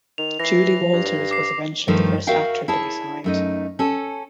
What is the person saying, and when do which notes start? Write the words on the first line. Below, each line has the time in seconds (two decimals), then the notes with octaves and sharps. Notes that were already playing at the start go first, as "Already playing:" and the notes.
Julie Walters was eventually the first actor to be signed.
0.18 D#3 F7
0.40 E3 A#6 C7
0.93 G2
1.31 D6 C7
1.88 G2 D#3 F3 A3
2.27 F#4 A#4 E5 F5 G5
2.68 E4 G#4 C#5 A5
3.24 F#2 A3 D#4
3.79 C#4 A4